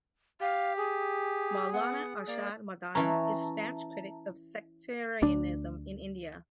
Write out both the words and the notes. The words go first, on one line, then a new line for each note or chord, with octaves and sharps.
Maulana Arshad Madani is a stanch critic of sectarianism in India.
G4 F5
G#4
B3 F#5
A#3 D5
E3 C#4 E5 A5 A#5
D2 D4